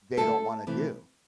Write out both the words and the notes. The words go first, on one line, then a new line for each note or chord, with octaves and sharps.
they don't wanna do."
D3 A3 A4
C3 E3 A3